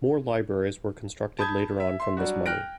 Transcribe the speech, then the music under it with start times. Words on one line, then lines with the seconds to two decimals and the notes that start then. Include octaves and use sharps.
More libraries were constructed later on from this money.
1.39 A5 B5 D#6 G6 G#6
1.80 E5
2.00 E5 C6
2.17 F#3 G3 D4 F#4
2.46 G5 F6 F#6 A#6 D7